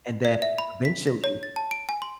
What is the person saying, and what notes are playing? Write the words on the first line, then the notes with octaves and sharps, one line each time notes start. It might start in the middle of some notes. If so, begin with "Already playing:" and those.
and then, eventually,
D5
E5
B5
B6
A#6
C#5
A6
A5
D7
G#5
C6